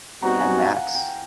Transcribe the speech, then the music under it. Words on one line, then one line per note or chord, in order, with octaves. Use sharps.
And that's
B2 G3 C4 D#4 F#4 A#5
G#5
F5
F#5
G5